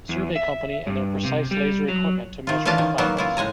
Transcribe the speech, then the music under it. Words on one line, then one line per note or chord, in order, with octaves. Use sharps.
Survey company and their precise laser equipment to measure the finals.
E2
E5
G2
C3
G3
F#3
D#3 F4
E3 C#4 D4 F4 F5 A5
D#3
D#3 F#3 A#3 B3
C#3 E4 F4
A2 G#3 G#5 A#5